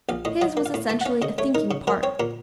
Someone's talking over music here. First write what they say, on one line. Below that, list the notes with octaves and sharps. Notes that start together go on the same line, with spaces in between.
His was essentially a thinking part.
A#1 F5
A2 D#5
F#3 D#5
A#3
F5
A2
A3 A5
F#5
C#4 F5
C#3 D#5
A3 C#5
D#4 A#4
C#3
F#3 A#4
C4 C#5
A#2 A#4